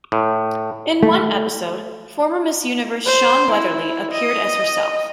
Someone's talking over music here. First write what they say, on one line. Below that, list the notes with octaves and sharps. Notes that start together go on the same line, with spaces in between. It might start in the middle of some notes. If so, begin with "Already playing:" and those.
In one episode, former Miss Universe Shawn Weatherly appeared as herself.
A2
A3
C5
E4
D#5